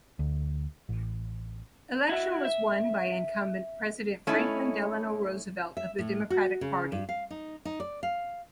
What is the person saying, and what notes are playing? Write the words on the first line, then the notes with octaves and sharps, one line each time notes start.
Election was won by incumbent President Franklin Delano Roosevelt of the Democratic Party.
D2
A1
E4 F#4 E5
E5
A3 C#4 D#4 E4
E5
A2
F#4
C#3
G2
F5
D#4
D#4
D5
F5